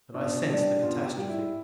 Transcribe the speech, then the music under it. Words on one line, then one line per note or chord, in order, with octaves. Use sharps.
But I sensed the catastrophe.
B2 D4
G3 D4
B2 F4
G4
G3
E4